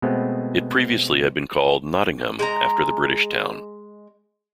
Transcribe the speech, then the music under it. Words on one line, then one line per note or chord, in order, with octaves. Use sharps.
It previously had been called Nottingham after the British town.
B2 G#3 A3 B3 C4
G#3 G5 A#5